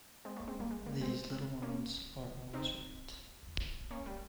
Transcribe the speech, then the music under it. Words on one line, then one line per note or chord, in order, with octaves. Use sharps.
These little ones are always right!
G#3 C4
A#3 C#4
G#3 C4
G3 A#3
G#3
G3 A#3
G#3 C4
A#3 C#4
C4 D#4
A#3 C#4
G3